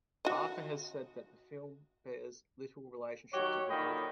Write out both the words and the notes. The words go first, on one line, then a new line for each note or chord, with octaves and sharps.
Barker has said that the film bears little relationship to her book.
F#4 D#5
D#3 F#3 F#4 G4 C#5
A#2 D3 D#3 D#5 G5 B5